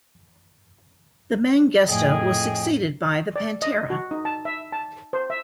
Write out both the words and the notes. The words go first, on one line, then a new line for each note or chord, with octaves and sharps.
The Mangusta was succeeded by the Pantera.
F2 A2 G#4 D#5 G5 G#5
D5
D#5
F#4
D#4
A5
E5
A5
C5
E5